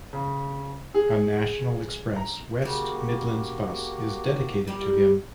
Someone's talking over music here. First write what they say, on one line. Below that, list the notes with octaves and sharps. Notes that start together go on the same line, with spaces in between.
A National Express West Midlands bus is dedicated to him.
C#3
G#4
A#5
C#3 A#3 F#4 G4 A#4
G3 A#3 G4